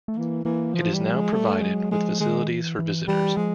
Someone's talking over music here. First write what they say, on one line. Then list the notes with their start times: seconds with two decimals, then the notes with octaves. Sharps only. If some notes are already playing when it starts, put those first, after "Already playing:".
It is now provided with facilities for visitors.
0.08 A3
0.17 E3 A#3
0.45 E3 A#3
0.74 E3 F3
0.93 G3
1.03 F3
1.13 G#3
1.33 G3 A3
1.61 F#3 G#3
1.91 F3 G#3
2.20 D#3 G#3
2.49 E3
2.79 E3
3.07 E3 G3
3.36 F3 G#3